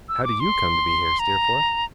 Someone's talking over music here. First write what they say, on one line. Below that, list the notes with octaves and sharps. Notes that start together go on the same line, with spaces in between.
How do YOU come to be here, Steerforth?'
E6
D6
C6
A#5